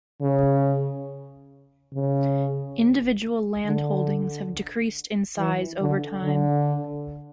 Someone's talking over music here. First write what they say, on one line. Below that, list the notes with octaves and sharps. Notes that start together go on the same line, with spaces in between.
Individual land holdings have decreased in size over time.
C#3
C#3
D3
E3
D3
D3